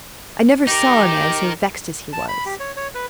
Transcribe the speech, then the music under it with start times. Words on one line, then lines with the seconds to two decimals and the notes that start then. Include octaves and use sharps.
I never saw a man so vexed as he was.
0.67 D#4 G4 A#4
2.13 A5
2.28 B5
2.46 G4
2.60 C#5
2.76 C#5
2.95 B4